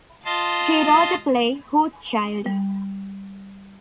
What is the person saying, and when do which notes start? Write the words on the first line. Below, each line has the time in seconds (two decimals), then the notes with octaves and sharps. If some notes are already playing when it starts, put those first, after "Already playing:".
She wrote a play Whose Child?
0.25 F4 D#5 A5 C6
2.46 G3